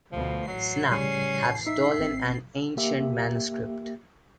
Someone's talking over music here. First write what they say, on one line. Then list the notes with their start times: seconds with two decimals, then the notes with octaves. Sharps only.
Snap, have stolen an ancient manuscript.
0.12 D2 B2 F3
0.47 A1 F#3 C7
0.91 C#3 G3 C#4
1.67 D#4 E5
1.98 G#1 C4
2.77 A#3 G4 E5